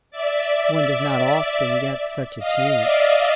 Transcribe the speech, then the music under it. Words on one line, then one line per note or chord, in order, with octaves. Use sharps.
One does not often get such a chance.
D5 E5
D#5 F5
D5 E5